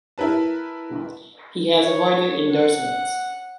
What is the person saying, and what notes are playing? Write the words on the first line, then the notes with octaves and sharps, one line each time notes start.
He has avoided endorsements.
E4 A#4 B4 A5
C#5
F#5